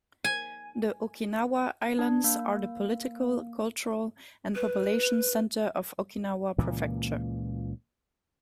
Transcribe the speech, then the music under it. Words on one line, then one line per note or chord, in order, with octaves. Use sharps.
The Okinawa Islands are the political, cultural and population center of Okinawa Prefecture.
G#5
D4
A#3
B4
C#2 A#2 E3 A#3